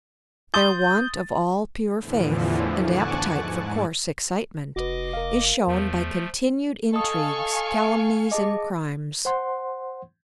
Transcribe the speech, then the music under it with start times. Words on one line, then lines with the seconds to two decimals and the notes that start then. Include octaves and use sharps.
Their want of all pure faith, and appetite for coarse excitement, is shown by continued intrigues, calumnies, and crimes.
0.54 C6 D#6 G6 A6
1.98 E2 A2 D3 E3 F3
2.81 F#5 G#5 A5 C#6 D6 F#6
3.26 G#2
4.76 F1 F#4 B4 D#5 D6
5.13 A#4 F5
5.67 E2 F3 A3
6.93 A4 D#5 F5 G#5 A5 C#6 D#6
8.32 G#4 D#5 A5 D6
9.25 C5 F#5 C6